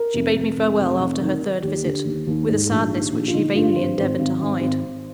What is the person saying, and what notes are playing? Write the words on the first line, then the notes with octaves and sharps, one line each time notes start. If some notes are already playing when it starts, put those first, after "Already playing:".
She bade me farewell after her third visit, with a sadness which she vainly endeavoured to hide.
Already playing: A#4
F1
F1
F1
F1
F1
D#3
D#3
D#2 G4
D3
D#2
D#2
G#2
A#1
D#3
A#1
F4
D3 D#4
G2 F4
G#1 C5
G#1 C5
G#1
G#1
G#1
G#1